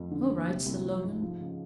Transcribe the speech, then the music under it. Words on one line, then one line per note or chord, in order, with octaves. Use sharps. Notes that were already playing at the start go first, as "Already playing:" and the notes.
"All right," said Logan.
Already playing: F2
D3
D#2
C3
C2
F3
G#2
F3
C#3